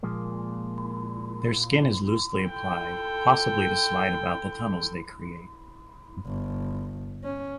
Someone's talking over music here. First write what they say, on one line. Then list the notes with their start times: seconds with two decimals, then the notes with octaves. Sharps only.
Their skin is loosely applied, possibly to slide about the tunnels they create.
0.03 A#2 F3 G#3 A#3
2.46 A4 G5
6.26 G1
7.24 C#4